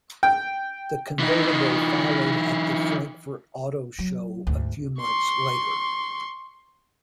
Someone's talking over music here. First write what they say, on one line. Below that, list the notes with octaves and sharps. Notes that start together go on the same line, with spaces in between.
The convertible followed at the Frankfurt Auto Show a few months later.
G5
E3 D#4
F#3
D2 G#2
C6 C#6